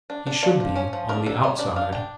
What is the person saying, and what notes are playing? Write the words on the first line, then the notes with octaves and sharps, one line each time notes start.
He should be on the outside.
D4
D4
F3 D5
F3
C#4
F3
D4 A#4
D4 A4
G3 C#5
D4 D5
D4 F5
D4 G5